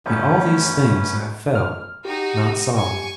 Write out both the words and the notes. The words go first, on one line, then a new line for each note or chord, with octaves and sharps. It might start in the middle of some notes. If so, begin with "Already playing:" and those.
But all these things I felt--not saw.
G1 D2 C#4 B4
F6
D#4 F#4 G4
G#5 C#6